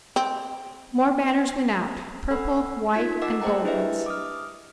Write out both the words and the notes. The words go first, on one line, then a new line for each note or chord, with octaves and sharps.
More banners ,went out,-purple, white and gold ones.
C4
A4 F#5 B5 E6
D#4 F4 G#6 B6
A#4 D#5 F#5 D6 E6
G#4 C5 D#5 G5 A5 A#5
D4 E4 G4 B4 D#5 E5
D6 D#6 F6